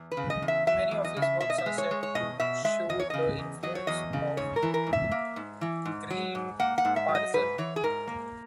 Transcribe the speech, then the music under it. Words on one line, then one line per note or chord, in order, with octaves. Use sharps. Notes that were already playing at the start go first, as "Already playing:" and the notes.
Many of his works are said to show the influence of Grillparzer.
Already playing: E2
B4
C#3
D#5
E2
E5
F#3 E5
E2
D#5
C#3
E5
B2 E5
D#5
E5
G#3
C#5
G#3
C#5
B2 D#5
B2 E5
G#3 E5
E2 D#5
C#5
C#3 D#5
E2
F#3 D#5
C#5
E2 D#5
C#3
G#2 C#5
A#4
E3
A#4
G#2
E5
A#3
G#2
E3
G#2
F#3
G#2
A#3 F#5
F#5
G#2
E5
F#3
D#5
G#2 B4
E3 C#5
G#4
G#2 A#4
A#3